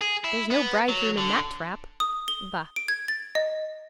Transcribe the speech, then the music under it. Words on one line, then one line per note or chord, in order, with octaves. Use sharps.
"There's no bridegroom in that trap."
G#4
E4
B3
F#3
D3
D#6
G7
D7
G#6
A6
D#5